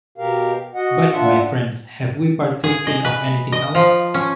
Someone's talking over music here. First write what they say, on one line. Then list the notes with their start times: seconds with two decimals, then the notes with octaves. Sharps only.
But, my friends, have we partaken of anything else?
0.18 B2 G4 A#4 F5
0.75 F#4 D#5 F#5
1.11 A#2 D4 F4 E5 F#5
2.64 G#4
2.87 D#5
3.05 B4
3.52 D#5
3.75 F3
4.14 C#4